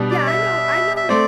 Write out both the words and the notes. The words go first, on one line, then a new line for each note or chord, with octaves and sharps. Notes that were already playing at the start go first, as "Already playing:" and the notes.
Yeah, I know I know
Already playing: B2 G3 D4
D5
E5
E5
A3 C4 D5